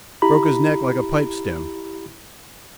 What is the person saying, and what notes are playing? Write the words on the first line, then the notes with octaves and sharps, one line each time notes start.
Broke his neck like a pipe-stem.
E4 G4 A#5 B5